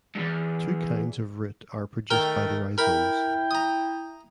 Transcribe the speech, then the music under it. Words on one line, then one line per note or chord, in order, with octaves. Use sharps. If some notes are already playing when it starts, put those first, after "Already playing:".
Two kinds of root are produced by the rhizomes.
E2 G2
D#3 A3 A#4 G5 A#5
E4 A#4 G5 B5
A#5 D#6